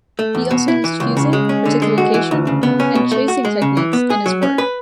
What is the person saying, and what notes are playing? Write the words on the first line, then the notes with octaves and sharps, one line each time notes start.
He also used fusing, reticulation and chasing techniques in his work.
A3
E2
B2
E4
E3
C#2
C#3
G#3
C#4
D3
G#3
F#4
E3
D2
C#3
B3
C#4
B2
A3
F#4
G#3
C#3
E3
B3
G#4
F#3
C#4
B4